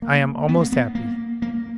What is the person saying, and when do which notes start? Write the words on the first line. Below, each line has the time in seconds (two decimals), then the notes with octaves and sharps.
I am almost happy.
0.02 A#3
0.49 B3
0.61 A#3
0.72 B3
0.95 A#3
1.42 A#3